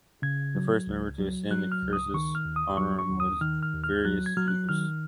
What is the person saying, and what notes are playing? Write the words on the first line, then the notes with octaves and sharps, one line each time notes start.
The first member to ascend the "cursus honorum" was Virius Lupus.
C#3 G#6
F#3
C#2
F#3
F#3 F#6
F6
C#2
D#6
D#3 C#6
F6
D#2
D#6
F#3 C#6
C#6
D#2
D#6
D#3 F6
F6
D#2
F6
F#3 F#6
G#6
F#3 F6
F#6
D#3 F6